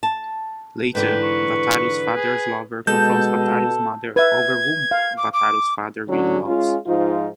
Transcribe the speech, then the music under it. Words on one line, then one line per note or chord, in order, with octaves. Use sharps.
Later, Wataru's father's lover confronts Wataru's mother over who Wataru's father really loves.
A5
G#2 D3 E3 B4 G5
C#6
G#4
B2 G#3 A4 G6
B4 E5 G#6
F5
D6
D6
D3 F#3 C#4
G#3 C#4 F4
G#2 F3 D#4 F4